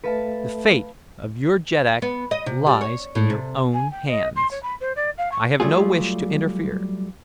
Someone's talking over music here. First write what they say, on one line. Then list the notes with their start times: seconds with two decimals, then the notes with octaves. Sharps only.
The fate of your jeddak lies in your own hands. I have no wish to interfere.
0.04 A3 A4 B4 E5 F5 A5
2.02 B3
2.31 D#5
2.46 C3
2.67 G3
2.81 C#5
3.15 A2
3.30 C3
3.73 G#5
3.91 G5
4.08 D#5
4.36 C6
4.51 C#5
4.63 B5
4.80 C5
4.96 D5
5.18 F5
5.32 C#6
5.60 F#3 G3 A3 F4 G#4